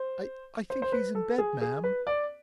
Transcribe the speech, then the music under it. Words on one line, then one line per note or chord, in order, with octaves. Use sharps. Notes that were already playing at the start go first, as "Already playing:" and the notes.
"I--I think he's in bed, ma'm."
Already playing: C5
C5
C5
B4
A4
G#4
G#4
B4
D5